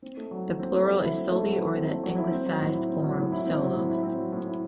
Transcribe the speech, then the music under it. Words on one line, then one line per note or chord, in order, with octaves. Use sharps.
The plural is "soli" or the anglicised form "solos".
C4
A3
F#3
E4
C4
A3
F#3
E4
C4
A3
F#3
E4
C4
A3
F#3
E4
C4
F#3
A2
E4
C4
F#3
A2
E4
C4
F#3
A2
E4
C4
F#3
A2
E4